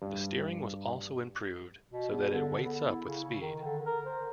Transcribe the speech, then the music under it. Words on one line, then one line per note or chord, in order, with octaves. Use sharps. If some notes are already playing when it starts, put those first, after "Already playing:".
The steering was also improved so that it weights up with speed.
G2
B2
E2
D3
B3
E4
C#3
D#3
D3
A#4
C5